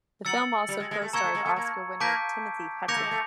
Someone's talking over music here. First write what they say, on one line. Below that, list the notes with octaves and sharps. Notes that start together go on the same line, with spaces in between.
The film also co-stars Oscar winner Timothy Hutton.
F#3 E6 A6 C#7 F#7
G3
G#3
G#3
A3
A#3 A#5 C#6 E6 G#6 C#7
A3
G#3
A3
A#3
A#3 A5 D6 G6 B6 D7
A#3 D6 G6 A#6 C#7 F7
A3
G#3
A3